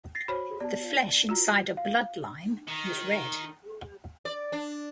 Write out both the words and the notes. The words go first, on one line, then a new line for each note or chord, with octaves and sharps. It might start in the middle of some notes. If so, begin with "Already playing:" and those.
The flesh inside a blood lime is red.
A6 A#6 C7
F#4 C5 C#5 B5
B3 D5 A5
F4 F#4 A#5
F5
D#3
D5
D4